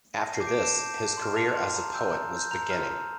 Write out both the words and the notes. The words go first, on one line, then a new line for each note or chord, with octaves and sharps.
After this, his career as a poet was beginning.
A5 A#6
C7
D6 G6
D7
A5 E7
D6 G6
A5
C6 F6
A5 F7
C6 F6
A#5
E6 G6
A#5
E6 G6
A#5 F7
F6
A#5